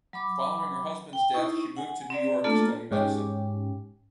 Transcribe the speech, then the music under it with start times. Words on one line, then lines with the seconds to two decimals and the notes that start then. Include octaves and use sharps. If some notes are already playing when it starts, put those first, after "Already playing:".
Following her husband's death she moved to New York to study medicine.
0.13 F#3 B5 D6
1.13 G5
1.34 D#4 E4 C#6
1.77 F#5 G#5
2.10 C4 D5
2.44 A3 A#3 D4 F4 A4
2.91 G#2 C#4 G4